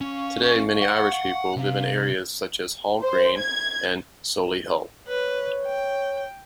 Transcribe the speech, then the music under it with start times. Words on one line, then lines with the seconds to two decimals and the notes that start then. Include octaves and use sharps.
Today many Irish people live in areas such as Hall Green and Solihull.
0.01 C#4 F5 C#6
0.82 F#5
1.56 C3 F5
3.01 C5
3.37 G#6
5.08 B4 C#5
5.66 G5